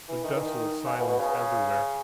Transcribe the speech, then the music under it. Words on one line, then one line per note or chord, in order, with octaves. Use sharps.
A desolate silence everywhere.
E3
D#3
E3
D#3
C#3
B2
B2
C#3